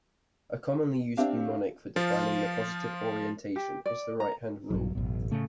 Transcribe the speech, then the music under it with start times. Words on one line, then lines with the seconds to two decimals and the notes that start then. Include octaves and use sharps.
A commonly used mnemonic for defining the positive orientation is the "right hand rule".
1.17 C4 D4 G4 E5 F5
1.96 F3 F4
3.56 G4
3.86 D5
4.20 A#5
4.70 A#1 G2 B2 F#3
4.95 A1 F#2 B2
5.30 A2 C#3 A3